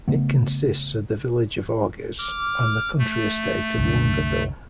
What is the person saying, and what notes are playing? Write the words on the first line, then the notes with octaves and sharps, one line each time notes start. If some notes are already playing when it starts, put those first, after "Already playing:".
It consists of the village of Orges and the country estate of Longeville.
C#3 A3 B3
D6 F6
A3
C2 F#2 D3